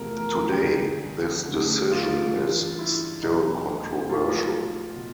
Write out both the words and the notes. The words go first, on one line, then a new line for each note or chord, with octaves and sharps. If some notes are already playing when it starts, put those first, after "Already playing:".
Today, this decision is still controversial.
Already playing: E2 C3 F3 A3 A#4
A#4
G4
G2 D3 G3 G#4
F#2 D3 F#3 A3
F4
G2 E3 G3
E4
E2 B2 F#3 D#4
A2 F3 G#3 F4
B2